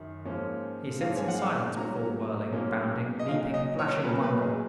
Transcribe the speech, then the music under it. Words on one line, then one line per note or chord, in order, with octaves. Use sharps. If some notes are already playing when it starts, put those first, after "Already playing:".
He sits in silence before the whirling, bounding, leaping, flashing wonder.
Already playing: F#2 D#3
G#2 F3 A#3 C#4
G#2 F3 A#3 C#4 F5
G#5
F#5
F5
G#2 F#3 A#3 C#4 A#5
G#2 F#3 A#3 C#4
D#5
A#2 F#3 C#4 F5
D#5
C#5
A#4
A#2 F#3 C#4 B4
B4
G#4